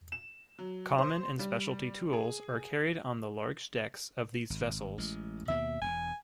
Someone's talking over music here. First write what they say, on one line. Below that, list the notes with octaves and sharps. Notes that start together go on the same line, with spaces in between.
Common and specialty tools are carried on the large decks of these vessels.
E7
F#3
C5
G3
G#4
G#1
A1 G#3
D#2 B2 A#3 E5
E1 G#5